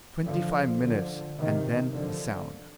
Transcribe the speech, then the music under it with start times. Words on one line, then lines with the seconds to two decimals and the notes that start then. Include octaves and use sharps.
Twenty-five minutes, and then a sound.
0.25 D3 F3
0.81 D3 F3
1.38 C3 D#3
1.94 D3 F3